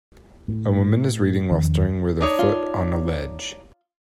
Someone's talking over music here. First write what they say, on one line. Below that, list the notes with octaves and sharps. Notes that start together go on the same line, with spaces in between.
A woman is reading while stirring with her foot on a ledge.
A2
E2 D#3 F3 C#4
D4 D#4 C#5
F4